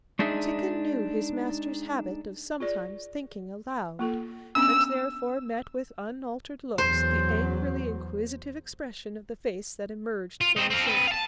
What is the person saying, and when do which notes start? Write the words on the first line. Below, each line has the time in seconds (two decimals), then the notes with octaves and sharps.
Tikhon knew his master's habit of sometimes thinking aloud, and therefore met with unaltered looks the angrily inquisitive expression of the face that emerged from the shirt.
0.19 G#3 D4 D#4 G#4 E5
2.60 F4 G#4 D5
3.99 A#3 F4 A4
4.55 B3 C#4 D4 E6
6.78 E2 F#3 C5
10.41 F4
10.56 C4 D#4
10.70 C4 F5
10.86 C4 B4
11.08 F5 A5